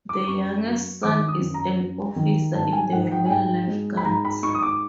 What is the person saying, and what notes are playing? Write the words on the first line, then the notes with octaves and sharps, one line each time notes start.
The youngest son is an officer in the Royal Life Guards.
D6
F#2 C#6
F#3
D#3 D6
D#6
F#2
A#5
F#3
D#3
G#2 A5
G#5
G#2 F#5
G5
G#5
G#2 G5
G#3
B5
G#2 A#5
B5
G#2 C#6
D#6
D6